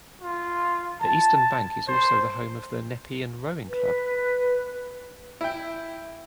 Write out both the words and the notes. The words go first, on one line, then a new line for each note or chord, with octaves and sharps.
The eastern bank is also the home of the Nepean Rowing Club.
F4
A5
C5
B4
E4 G5